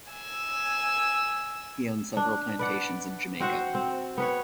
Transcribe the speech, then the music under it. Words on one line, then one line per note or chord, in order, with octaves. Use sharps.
He owned several plantations in Jamaica.
G#5 E6
D4
B4 D5 F#5
C4 F#4 C5 F#5
C4
B3 B4 C#5